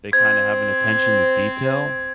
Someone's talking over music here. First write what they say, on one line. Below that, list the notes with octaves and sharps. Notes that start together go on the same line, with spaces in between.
they kinda have an attention to detail,
C4 C5 G#6